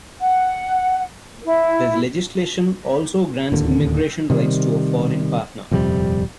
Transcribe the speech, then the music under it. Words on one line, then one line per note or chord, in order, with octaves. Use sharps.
The legislation also grants immigration rights to a foreign partner.
F#5
E4
D1 D#2 D3
C3 D#3 G3
D#1 F2 C3 G3